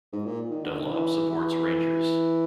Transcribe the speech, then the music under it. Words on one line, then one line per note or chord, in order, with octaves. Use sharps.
Dunlop supports Rangers.
G#2
A#2
D#3
D3
D#3
E3
E3